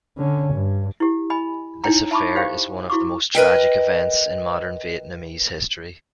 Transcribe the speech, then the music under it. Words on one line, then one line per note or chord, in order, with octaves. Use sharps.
This affair is one of the most tragic events in modern Vietnamese history.
D3 C#4
G2
E4 G4
D#5 G#5 B5
D#4 E4 C#5 G5 A#5
E5 A5 B5 C#6 D6
G4 C5 F5 G5
E4 F#4 C#6 D6
A#4 B4 D#5 G5